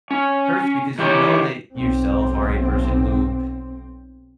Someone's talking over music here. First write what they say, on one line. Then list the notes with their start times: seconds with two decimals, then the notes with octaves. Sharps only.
hurts because you know that yourself are a person who,
0.11 C#4
0.98 E3 G4 C#5
1.76 B1 C4